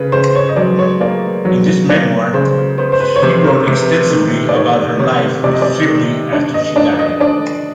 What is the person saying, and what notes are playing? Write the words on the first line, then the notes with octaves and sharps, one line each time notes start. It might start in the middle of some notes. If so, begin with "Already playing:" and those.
In this memoir she wrote extensively about her life with Sibley after she died.
Already playing: C#3 B4
C#3 C5
C#5
D#5
F#3 D5
C#5
A#3 D5
F#3
A#3 D5
C#3 C5
B3 C5
C5
B4
C#5
C3 C5
A#4
C3 B4
D#3
D5
D#3 C#5
C3 C#5
C3 D5
D#5
D5
D#3
D4
D#5
D4 D5
D#5
D4 D5